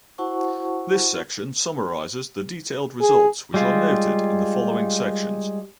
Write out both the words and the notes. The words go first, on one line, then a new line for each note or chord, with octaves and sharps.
This section summarises the detailed results which are noted in the following sections.
E4 F#4 C5 F#5 A5 C#6
G#4
G3 G#3 F4